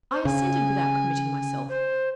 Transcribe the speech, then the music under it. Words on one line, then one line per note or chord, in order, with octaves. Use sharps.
I assented, without committing myself.
C5
C#3 G#5
C5